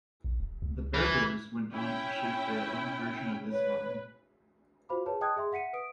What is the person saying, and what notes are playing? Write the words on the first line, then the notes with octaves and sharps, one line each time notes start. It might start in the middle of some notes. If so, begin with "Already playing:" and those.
The Berbers went on to shape their own version of Islam.
A#1
D1
C#2
E3
C#4 E4 G5
B4 C#5
F4 F#4 C5 F5 B5 D6
G#4 B4 C#5 A5
D#5 G5 A5 D#6 F#6 G#6
G#4 E5 C6
E5 F#5 B6 C#7 D#7
B4 D#6 D7